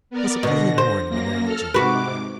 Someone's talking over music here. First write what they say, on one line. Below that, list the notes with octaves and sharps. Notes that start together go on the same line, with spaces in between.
It was a pleasant morning in early June.
B3 A#4 D5
B2 D3 A#6
C5
F#2 A#3 A#6
A4 F6
G#2 C3 F#4 B4 D6